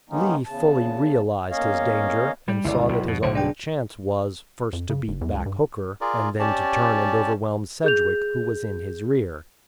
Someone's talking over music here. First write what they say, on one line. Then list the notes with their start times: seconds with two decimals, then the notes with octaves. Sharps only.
Lee fully realized his danger, and saw that his only chance was, first to beat back Hooker, and then to turn and overwhelm Sedgwick, who was in his rear.
0.10 D#3 G#3 A#3 B3 C#4 D#4
0.46 E2 C#3 A5
1.51 E2 A#3 C#4 C#5 D#5 F5
2.48 G3
2.64 G1 C#2 E4 D5
2.89 B1
3.08 F2 B2
3.23 B1 D3 C5
3.35 D4 G#4 G5
4.73 F2
4.89 C#3
5.08 F#1
5.21 E2
5.33 C#2
5.46 G2
6.01 F4 G#4 A#4 D5
6.39 C#4 G4 D5 A5
7.84 G#4 G6 F7